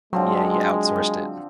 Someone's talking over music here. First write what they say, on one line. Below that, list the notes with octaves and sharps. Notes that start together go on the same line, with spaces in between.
Yeah, you outsourced it.
D3 F3 F#3 G#3 C4